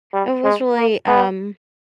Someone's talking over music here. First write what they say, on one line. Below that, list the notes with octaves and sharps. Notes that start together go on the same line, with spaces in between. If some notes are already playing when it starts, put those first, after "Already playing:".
it was really, um,
G3
G#3
A#3
B3